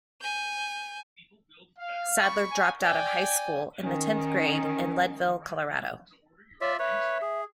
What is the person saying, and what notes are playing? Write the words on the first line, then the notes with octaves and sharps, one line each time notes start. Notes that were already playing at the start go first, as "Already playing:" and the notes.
Sadler dropped out of high school in the tenth grade in Leadville, Colorado.
G#5 G6
F5
B5 C#6
G#5
D5 G5 G#5
D#3 C#4
F4 C#5 D5 E5
B4 C#5 E5
G#4